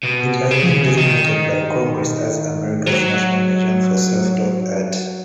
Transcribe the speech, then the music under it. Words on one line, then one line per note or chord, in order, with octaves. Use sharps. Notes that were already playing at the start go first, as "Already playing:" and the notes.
It has been designated by Congress as America's national museum for self-taught art.
B2
C#3
D#3
F#3